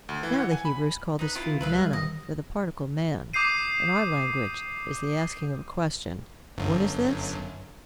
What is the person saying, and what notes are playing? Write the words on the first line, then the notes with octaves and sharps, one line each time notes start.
Now the Hebrews call this food manna: for the particle man, in our language, is the asking of a question. What is this?
D2
E3
F#5
G#5
B5
D#4 B4
E4 F4
D#3
C2 B4 E5 F5
G3
D#3 D#5
D6 D#6 G6 C7 D#7
G1 F#2